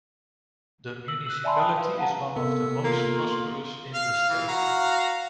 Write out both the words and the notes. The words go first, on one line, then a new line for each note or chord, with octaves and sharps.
The municipality is one of the most prosperous in the state.
E6 F#7
E6 F#6
D5 E5 G#5 A5 B5 C6
G5 A5 D#6
B4 F5
F5 F#5 A5 A#5
C3 B3 A4 A#4 E6
A#3 F4
F5 F6
E3
F#4 F5 A#5